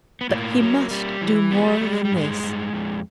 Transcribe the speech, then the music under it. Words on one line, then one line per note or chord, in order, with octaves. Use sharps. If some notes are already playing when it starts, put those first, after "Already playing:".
But he must do more than this.
B3
A2 A#3
F#3
G3
E3
G3 B3
A#3
A3
G3
G#3
G3
G2 G#3
G2
F2